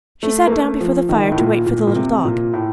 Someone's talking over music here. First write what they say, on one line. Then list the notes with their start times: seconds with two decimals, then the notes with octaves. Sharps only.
She sat down before the fire to wait for the little dog.
0.23 A3
0.47 A#3
0.52 A3
0.81 F3
1.09 D#3
1.32 A2
1.38 A#2
1.66 A#2
1.87 A#2
1.95 C3
2.25 A#2
2.54 A2